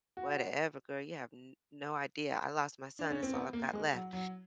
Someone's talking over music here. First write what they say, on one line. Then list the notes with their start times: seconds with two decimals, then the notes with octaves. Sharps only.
"Whatever, girl, you have n no idea, I lost my son. That's all I've got left.
0.17 F#4
2.99 D4
3.10 C#4
3.23 C4
3.33 B3
3.53 A#3
3.73 G#3
3.93 F#3
4.13 F#3